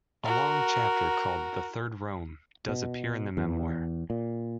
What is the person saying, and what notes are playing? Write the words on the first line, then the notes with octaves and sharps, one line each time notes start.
A long chapter called "The Third Rome" does appear in the memoir.
F#4 A#4
B2
E2
A#2